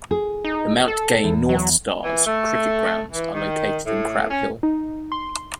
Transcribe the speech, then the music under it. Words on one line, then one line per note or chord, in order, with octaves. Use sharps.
The Mount Gay North Stars cricket grounds are located in Crab Hill.
G#4
D#4
A4
E2
F#3
E3
A3
E3
D#3
A2
C#4
D#4
C6